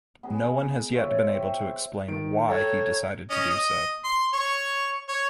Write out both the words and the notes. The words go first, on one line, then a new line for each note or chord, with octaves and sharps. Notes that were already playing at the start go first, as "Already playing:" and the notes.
No one has yet been able to explain why he decided to do so.
B3 D#4 G#4
F4 C5 C#5 E5
E5 G5
D#3 D7
A4 C#5 G5 A#5
C#4 D#5
D#5
C6
C#5 C#6
C#5